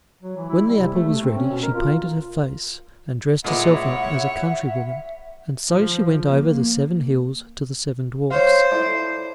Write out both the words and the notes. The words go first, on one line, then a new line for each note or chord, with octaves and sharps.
When the apple was ready she painted her face, and dressed herself up as a country-woman, and so she went over the seven hills to the seven dwarfs.
F#3
E3
E4
G3
C3
A3
A3
C4
C#4
B2
A#4
F4
A#2 G#3 B3 E4 C#5 E5 F#5
F3
A#3
C5 C#5 F5
E4 A4 D5